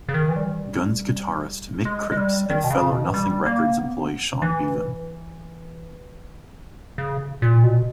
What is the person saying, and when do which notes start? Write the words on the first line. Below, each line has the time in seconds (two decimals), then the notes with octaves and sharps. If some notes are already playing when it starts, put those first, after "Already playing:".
Guns guitarist Mick Cripps and fellow Nothing Records employee Sean Beavan.
0.09 C#3
0.14 D#3
0.29 E3
0.36 G3
1.85 G#3
2.12 G#3
2.17 G3
2.50 D#3
2.64 B2
2.70 C#3
2.92 B2
3.04 E3
3.14 G3
3.46 A#3
3.78 B3
4.42 E3
6.98 C#3
7.42 A#2
7.63 B2